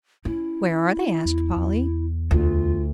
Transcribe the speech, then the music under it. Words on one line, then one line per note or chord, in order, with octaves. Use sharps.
"Where are they!" asked Polly.
C#4 E4
E2
E2
D2 F4